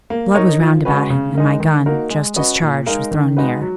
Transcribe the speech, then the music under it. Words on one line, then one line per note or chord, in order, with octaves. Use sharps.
Blood was round about him, and my gun, just discharged, was thrown near.
A#3
D#4 A#4 C#5
F3
G#3 C#4 F#4 B4
C#3
G#3 D#4 A#4
D#3
A#3 D#4 F#4 A#4
G#3
C#4 F#4 B4 D#5
A#2
G#3 D#4 A#4 F5
D#3
G#3 D#4 F#4 B4
F#3